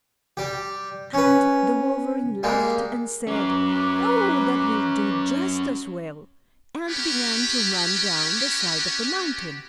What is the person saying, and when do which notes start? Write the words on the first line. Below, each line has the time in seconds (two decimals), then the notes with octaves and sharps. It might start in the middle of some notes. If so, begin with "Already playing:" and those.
And the wolverine laughed and said: 'Oh, that will do just as well'; and began to run down the side of the mountain.
0.37 G3 G4
1.13 C#4 B4
2.43 G3 G#3 A#3
3.27 F#3 C#4 B4 A#5 D6
6.89 B3 C#4 F#4 G4